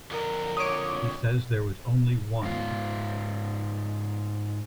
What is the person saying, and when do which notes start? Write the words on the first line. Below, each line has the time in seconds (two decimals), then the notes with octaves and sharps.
He says there was only one.
0.11 F2 D3 A#4
0.57 C#5 D6 D#6
2.43 G#2 F4